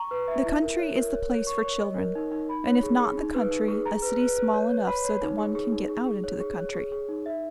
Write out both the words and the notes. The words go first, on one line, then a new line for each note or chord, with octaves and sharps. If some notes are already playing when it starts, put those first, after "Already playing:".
The country is the place for children, and if not the country, a city small enough so that one can get out into the country.
Already playing: A#5 C#6
B4
E5
E4
A#4
C#5
A#4
C#5
C#5
C#6
C#5
D#5
A#4
D#4
D#4
B5
C#5
G#4
G#4
D#4
B4
D#4
G#4
A#5
B4
B4
B4
C#5
C#5
B5
C#5
D#4
G#4
G#4
D#4
G#4
G#4
C#5
G#4
C#5
G#4
G#4
D#4
E5